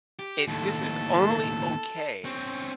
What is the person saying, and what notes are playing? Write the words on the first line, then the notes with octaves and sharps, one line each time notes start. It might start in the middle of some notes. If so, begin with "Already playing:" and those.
it this is only okay
G4
D#2 A2 A4
C4 C#4